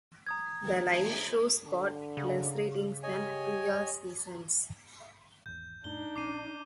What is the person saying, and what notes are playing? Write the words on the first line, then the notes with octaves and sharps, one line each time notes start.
The live shows got less ratings than previous seasons.
A#5 D#6 G#6
D3
C#3
G4 C#5 D#5 G#5
G#1 E2 G6
F2 A2 A3 D4 D#4 G7
A#1 C#4 D6 C7 D#7